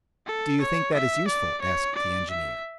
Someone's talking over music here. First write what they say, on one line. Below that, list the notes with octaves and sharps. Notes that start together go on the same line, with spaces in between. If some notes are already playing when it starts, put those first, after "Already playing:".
"Do you think that is useful?" asked the engineer.
A4
C#5
E5
D5
C#5
D5
E5